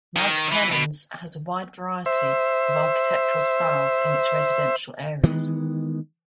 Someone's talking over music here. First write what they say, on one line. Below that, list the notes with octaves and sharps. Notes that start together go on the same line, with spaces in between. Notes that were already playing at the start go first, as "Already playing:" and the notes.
Mount Clemens has a wide variety of architectural styles in its residential areas.
D#3
E3
B2
C5 E5
D#3 E3 G#3 B3